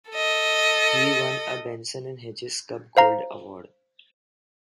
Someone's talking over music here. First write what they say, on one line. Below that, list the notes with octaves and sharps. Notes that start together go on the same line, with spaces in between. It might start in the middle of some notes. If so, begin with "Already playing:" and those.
He won a Benson and Hedges Cup Gold Award.
A4 D#5
C5 F5 A#5